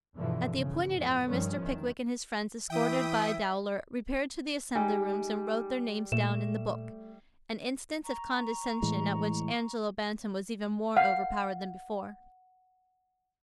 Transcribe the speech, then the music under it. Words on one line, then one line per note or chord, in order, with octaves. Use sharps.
At the appointed hour, Mr. Pickwick and his friends, escorted by Dowler, repaired to the Assembly Rooms, and wrote their names down in the book--an instance of condescension at which Angelo Bantam was even more overpowered than before.
E2 G2 B2 D3 E3 F3
G1 C#3
F2 A2
G2 D#3 F3 G3 C#4
E2 D#3
E3 E5 G5 D#6
G3 G#3 D#4 G4 G#5
A#2 A3 E7
A#5 C#6
A2 E3 G#3
F5 F#5